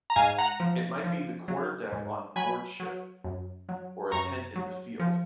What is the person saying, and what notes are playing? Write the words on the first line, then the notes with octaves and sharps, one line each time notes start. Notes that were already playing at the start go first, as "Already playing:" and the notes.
It might be the quarterdeck on board ship or a tent in the field.
A#5
G#2 F5 G#5
F#5 A#5
F3
F3
F#3
G#2
F#3 G#5 B5
F#3
F#2
F#3
F#2 A#5 C#6
F#3
F3